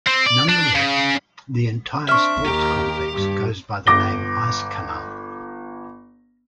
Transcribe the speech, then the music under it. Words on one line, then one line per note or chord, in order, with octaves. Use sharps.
Nonetheless, the entire sports complex goes by the name Eiskanal.
C4
D5
D4
C#3
C4 D4 E5 C#6 F6
D#2 G4 A#4
G2
G1 D6 A#6 G7